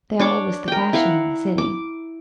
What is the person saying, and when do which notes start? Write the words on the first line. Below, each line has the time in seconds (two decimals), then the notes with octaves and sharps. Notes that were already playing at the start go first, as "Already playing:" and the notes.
They all was the fashion in the city.
0.19 D4 C#5 D6
0.68 A#4 G5
0.93 E4 A#4 F5 F#5
1.58 D6